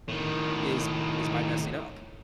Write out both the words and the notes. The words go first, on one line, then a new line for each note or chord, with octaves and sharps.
is, is by messing up,
A2 D#3